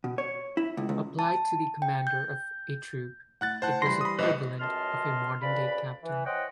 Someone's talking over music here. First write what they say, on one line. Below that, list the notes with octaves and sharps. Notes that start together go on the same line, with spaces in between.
Applied to the commander of a troop, it was equivalent of a modern-day captain.
B2
C#5
E4
C#2
C#2
A5
G5
G6
A2 F#5 F#6 A6
A2 C5 F#5 A5 F#6
G2 E3 G3 B5 C6 A#6
B5 D#6
A#1 A2 B4 D#5
C#2 F#2 D#5 A5 C6 F6
D2 C#3 B4 D5 B5
E3
C5 C#5 D#5 F#5 G5